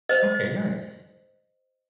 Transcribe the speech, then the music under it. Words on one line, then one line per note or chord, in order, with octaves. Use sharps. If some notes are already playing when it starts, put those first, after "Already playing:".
Okay. Nice.
C5 D#5